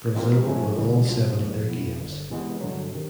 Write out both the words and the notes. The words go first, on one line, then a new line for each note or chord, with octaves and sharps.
Brazil won all seven of their games.
E3 G#3 C4 F4 A#4
G#2 F3 A3 C#4
C#2 C#3 E3 G#3
B2 G3 B3 D4 F4
E2 C3 F3 A#3
B2 F#3 B3 E4
G1 G2 D3
C3 E3 G#3 B3
G2 D3 F#3
C3 D#3